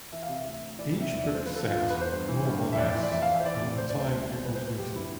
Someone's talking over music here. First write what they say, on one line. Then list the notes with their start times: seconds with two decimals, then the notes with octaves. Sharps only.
Each book set, more or less, in the time it was written.
0.12 E3 E5
0.23 F5
0.28 C3
0.35 E5
0.45 D2
0.62 D2
0.78 E3 D5
0.95 C3
1.00 E5
1.12 E2 E5
1.23 D5
1.28 E2
1.34 C5
1.45 F3 B4
1.56 A4
1.62 D3
1.68 F4
1.78 E2 F4
1.90 B4
1.95 E2
2.01 C5
2.12 G2
2.28 E3
2.45 G2
2.62 E3
2.73 E5
2.78 F2 D5
2.95 E3
3.03 D5
3.12 F2 E5
3.22 F5
3.29 E3
3.34 E5
3.40 C5
3.46 E3 D5
3.62 C3
3.78 D2 C5
3.89 D5
3.95 D2 C5
4.11 C2
4.28 B2
4.45 C2 B4
4.55 C5
4.62 B2 B4
4.78 F3 G4
4.96 D3 E4